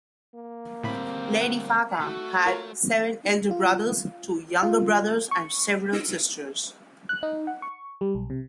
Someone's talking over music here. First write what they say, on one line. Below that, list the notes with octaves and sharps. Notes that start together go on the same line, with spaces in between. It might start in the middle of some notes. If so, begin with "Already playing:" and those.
Lady Fuca had seven elder brothers, two younger brothers, and several sisters.
A#3
D2 A2 G3 C4 B5
F#5
A3 F#4
F4 A#4 C#5
F4
F4
C#6
F#6
D#4
F#5
C#6
G3
B1
C3